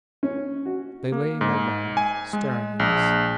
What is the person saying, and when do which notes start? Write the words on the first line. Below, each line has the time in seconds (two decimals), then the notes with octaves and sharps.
They lay immobile--staring at us.
0.23 C#4
0.66 F#4
1.12 A#3
1.41 G#2
1.97 G#5
2.33 G#3
2.79 A#1